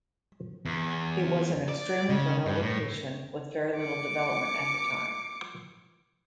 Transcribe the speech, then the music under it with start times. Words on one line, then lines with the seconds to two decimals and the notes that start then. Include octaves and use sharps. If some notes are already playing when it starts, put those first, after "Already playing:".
It was an extremely remote location with very little development at the time.
0.65 E2
1.69 D5
2.09 C#3
2.46 G2
2.62 A2
3.78 D6 C#7